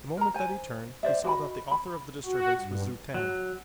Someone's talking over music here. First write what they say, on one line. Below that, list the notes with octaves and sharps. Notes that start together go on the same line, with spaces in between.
The moment that he turned he saw that the author of the disturbance was Zu-tag.
A#4 A#5
C5 G#5
C5 D5 E5
F#4 D#5 G5 B5
B5
F#4
G2
F#3